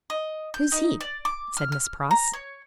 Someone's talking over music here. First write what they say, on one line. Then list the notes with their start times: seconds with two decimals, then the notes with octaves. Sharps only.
"Who's he?" said Miss Pross.
0.10 D#5
0.54 G6
0.72 D#4
1.01 D5
1.25 D6
1.57 F6
1.72 F6
2.11 A#5
2.33 C#5